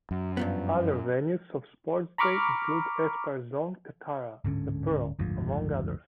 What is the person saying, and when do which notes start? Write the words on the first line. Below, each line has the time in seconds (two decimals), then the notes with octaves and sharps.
Other venues of sports day include Aspire Zone, Katara, The Pearl, among others.
0.11 F#2
0.37 G2 F3 B3
2.18 A#5 B5 C#6 D6 F6
4.44 D1 G#2 D3 C#4
5.19 F#1 D2 G#2 F3